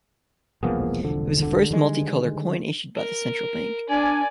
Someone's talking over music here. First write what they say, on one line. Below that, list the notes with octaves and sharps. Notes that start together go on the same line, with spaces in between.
It was the first multi-colour coin issued by the Central Bank.
E1 C2 F3 A#3 B3 G#4
D3
D3
D#3 G3 G#3
A#4
D4 D5 G#5